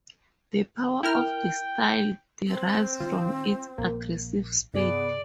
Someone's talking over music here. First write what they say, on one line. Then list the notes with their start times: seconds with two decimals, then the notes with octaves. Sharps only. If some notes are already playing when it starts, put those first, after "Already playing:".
The power of the style derives from its aggressive speed.
1.03 E4 A#4 G5 F6
2.48 C4
3.00 D#3 G3 F4
3.78 A#1 A#3
4.74 G2 C3 B3 G#4 D5